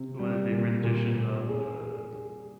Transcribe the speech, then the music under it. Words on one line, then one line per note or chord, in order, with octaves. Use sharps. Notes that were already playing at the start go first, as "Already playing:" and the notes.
W the rendition of, uh,
Already playing: C3
G3
A#2
A#2
A#2
G#4
G#4
G#4